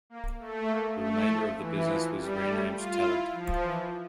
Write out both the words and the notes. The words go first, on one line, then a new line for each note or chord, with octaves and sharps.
The remainder of the business was renamed Telent.
A#3
A3
A#3
A3
F3
E3
F3
G3
A3
F4
E4
F3
E3